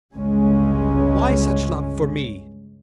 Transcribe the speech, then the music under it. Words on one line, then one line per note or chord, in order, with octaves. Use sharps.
Why such love for me?
G1 C#2 C#3 G#3 C#4